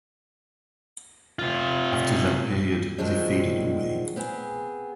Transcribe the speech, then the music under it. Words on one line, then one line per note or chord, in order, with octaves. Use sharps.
After that period, they faded away.
C3 F4
D#3 F3 F#3 G#3 C4 D4
B3 C4 G#4